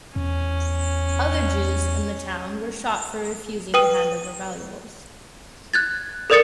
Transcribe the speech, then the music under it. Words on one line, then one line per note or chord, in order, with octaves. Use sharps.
Other Jews in the town were shot for refusing to hand over valuables.
E2 C#4
B4 G5 D#6 D#7
F#6 G#6 A6
A4 A#4 D5 D#6 A6 C#7